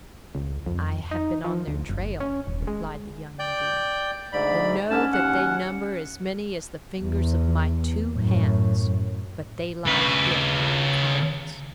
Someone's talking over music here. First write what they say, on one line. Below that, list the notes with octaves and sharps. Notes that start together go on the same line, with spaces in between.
"I have been on their trail," replied the young Indian, "and know that they number as many as the fingers of my two hands; but they lie hid like cowards."
C#2
F2
D#4
F3
D2
F#1
C#4
D#1
G#3
D5 G5 G6
D2 G#2 D5 B5
G#2 D3 C#4 A5
D#2 F#5
E2
F#2 A2
C#3 B4